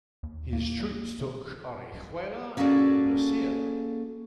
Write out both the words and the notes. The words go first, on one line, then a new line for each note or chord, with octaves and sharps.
His troops took Orihuela and Murcia.
D#2
A#3
A#3 C#4 F#4 G#4 A4 D5